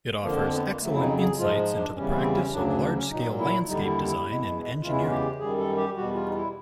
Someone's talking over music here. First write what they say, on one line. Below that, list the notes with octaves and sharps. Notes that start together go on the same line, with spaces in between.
It offers excellent insights into the practice of large-scale landscape design and engineering.
F2 D3 F3 A#3
A#3
B3
A#3
F2 C#3 F#3 A3
E4
D#4
G#4
G#2 F3 G#3 F4
D4
E2 C#3 E3 G3 C#4
C#4
C4
C#4
D2 C#3 F#3 D4
D4
D4
C#4
A#2 F#3 D#4
E4
D#2 D3 G3 D#4
E4
E4
E2 B2 G#3
E2 C#3 E3 G#3 F4
E4
F4
G4
F#2 D#3 G3 G#4
A4
G4
E2 B2 G3 F#4
F4
D#4
E4